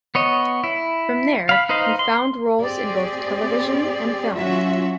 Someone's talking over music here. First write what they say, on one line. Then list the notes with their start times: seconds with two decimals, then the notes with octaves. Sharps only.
From there, he found roles in both television and film.
0.15 B3 C#5 D#5
0.64 E4
1.49 F5 B5
1.69 D#4 B4 C5 D#5 F5
1.99 C6
2.61 C4 G4 G#4 D5
4.36 F#3 C#4 F4 F#4 E5